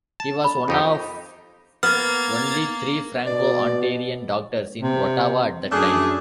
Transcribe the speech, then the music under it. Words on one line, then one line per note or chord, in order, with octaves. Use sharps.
He was one of only three Franco-Ontarian doctors in Ottawa at the time.
A5
B5
F2 D#4 G4
A#3 B3 F6 G#6 A6
B2 D5
C3
F#2 A3 D4 G#4